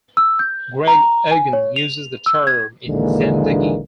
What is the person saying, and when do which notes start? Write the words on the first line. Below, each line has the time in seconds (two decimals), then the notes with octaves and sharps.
Greg Egan uses the term in "Zendegi".
0.17 E6
0.39 G6
0.88 A#5
1.31 G#5
1.53 C#5
1.76 F7
2.26 E6
2.47 G#6
2.87 A#1 D#2 D3 E3 G#3 A#3